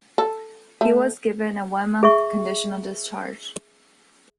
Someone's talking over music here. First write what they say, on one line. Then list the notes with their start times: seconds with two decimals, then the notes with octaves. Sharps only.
He was given a one-month conditional discharge.
0.18 A4
0.81 A3
2.03 G#4 E5 C#6